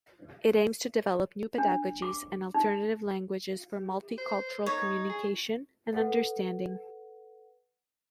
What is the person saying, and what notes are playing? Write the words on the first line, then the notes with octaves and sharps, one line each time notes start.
It aims to develop new pedagogies and alternative languages for multi-cultural communication and understanding.
D4
D6
D#4
C5
D#4 C#5
G#4
A4 B4 F#5